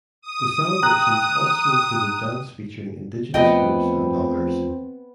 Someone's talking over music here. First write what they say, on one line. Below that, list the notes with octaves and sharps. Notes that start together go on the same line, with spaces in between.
The celebrations also included dance featuring indigenous groups and others.
D#6
G5 A#5 F#6
E2 F3 A3 B3 C4 D#5 G5